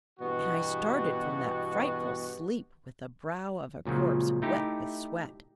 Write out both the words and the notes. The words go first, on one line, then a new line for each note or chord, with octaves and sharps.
And I started from that frightful sleep with the brow of a corpse, wet with sweat....
G2 B2 E3 B3 F#4 G4
C#2 A#2 C#3 F3 F#3
A3 D#4 E4 G4